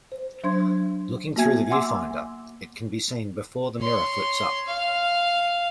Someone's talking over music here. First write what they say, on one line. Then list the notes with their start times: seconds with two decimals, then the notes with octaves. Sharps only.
Looking through the viewfinder, it can be seen before the mirror flips up.
0.12 C5
0.44 F#3 D4 C5 C6 G#6
1.36 A#3 B3 F#4 E5 G#5 G#6
1.70 E5 F#5 G#5 C6 D6 E6
3.79 C#5 C6
4.66 F5